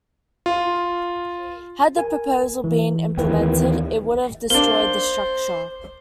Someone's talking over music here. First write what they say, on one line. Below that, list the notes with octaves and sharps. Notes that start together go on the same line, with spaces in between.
Had the proposal been implemented, it would have destroyed the structure.
F4
A#4 G#5
E3
D#2 E3 A#4 B4 G5
A#3 D4 C5 G7